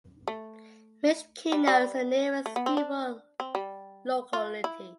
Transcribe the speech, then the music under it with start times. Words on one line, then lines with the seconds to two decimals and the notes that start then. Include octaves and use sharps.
Mishkino is the nearest rural locality.
0.28 A3
1.52 G3
1.67 G3
2.46 A3
2.56 B3
2.66 C4
2.77 D4
3.40 C4
3.55 G3
4.33 F4
4.64 E4